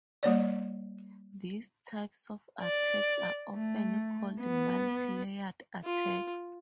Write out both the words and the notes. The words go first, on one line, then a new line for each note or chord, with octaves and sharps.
These types of attacks are often called multi-layered attacks.
G3 A#3 C#5 D5
D5
A3
B3
F4